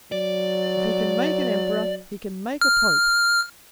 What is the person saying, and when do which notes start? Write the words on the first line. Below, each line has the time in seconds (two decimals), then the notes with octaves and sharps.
If he can make an emperor, he can make a pope.
0.12 F#3 D5
2.61 F6